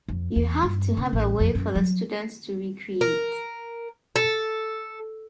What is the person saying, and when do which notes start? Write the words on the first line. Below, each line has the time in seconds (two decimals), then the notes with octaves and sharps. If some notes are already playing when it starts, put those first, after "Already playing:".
You have to have a way for the students to recreate.
0.08 F2
0.36 E2
0.63 G2
0.97 C#3
1.13 A1
1.40 F2
1.55 F#2
1.75 F#3
3.01 A#4
4.16 A4